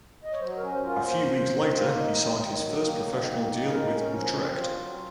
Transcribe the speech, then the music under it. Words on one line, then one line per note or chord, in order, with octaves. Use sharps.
A few weeks later he signed his first professional deal with Utrecht.
D#5
C#5
F#3 C5
A#4
C#4
C5
F4
A#4
A#3 C5
F4
D#3
A#3
D#4
D#3
D#3
F#3
A#3
D#3
A#3
D#4
G#3 A#4
C#4
F3
C4
F4
F#3